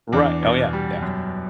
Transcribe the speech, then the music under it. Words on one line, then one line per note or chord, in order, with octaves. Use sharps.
Right, oh yeah, yeah.
E2 D4
B2
G3
F#2